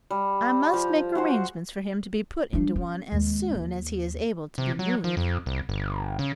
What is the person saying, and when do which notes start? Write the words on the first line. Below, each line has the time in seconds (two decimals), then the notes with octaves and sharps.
"I must make arrangements for him to be put into one as soon as he is able to be moved."
0.10 G3
0.73 F3
1.15 F#4 G#4 C5
2.53 G3 D4
2.76 C#4
3.12 D#2 G#3
3.54 D#2
4.58 C3
4.79 F#3
5.04 F3
5.17 F2
5.46 C2
5.69 G1
6.19 C#3